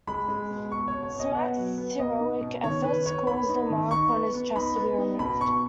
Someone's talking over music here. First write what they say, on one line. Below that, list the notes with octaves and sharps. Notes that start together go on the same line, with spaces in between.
Smax's heroic efforts cause the mark on his chest to be removed.
G#3 B5
G#3
B2
B2 C#6
C#5
B2
C#5
B2
D#5
B3 F#5
F#3
B3
B2 D#5
D#4
B2
D#3 C#5
D#3 B4
B3 C#5
B3 B5
D#4
D#3
D#4 C#6
B3
B3
D#4 B5
B3
D#4
B2 B5
B2 C#6